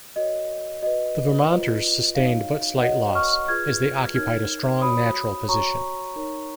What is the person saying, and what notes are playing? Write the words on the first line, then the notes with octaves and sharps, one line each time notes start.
The Vermonters sustained but slight loss, as they occupied a strong, natural position.
F#4 A#4 C#5 D#5
F#4 B4 D#5
F4 B4
D#4 F#4 C#5 F5
F#4 A#4 C#5 D#5 F#5
C#6 F6
F4 G#4 B4 F6 G#6
D#4 A#4 C#5 F6 G#6
F#4 C#5 B5 D#6
F#4 C#5 A#5 C#6
D#4 A#4 C#5